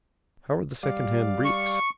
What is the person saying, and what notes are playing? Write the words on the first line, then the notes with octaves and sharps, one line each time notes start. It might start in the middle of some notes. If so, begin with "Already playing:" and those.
How are the secondhand breeks?
G3 D5 F5
C#6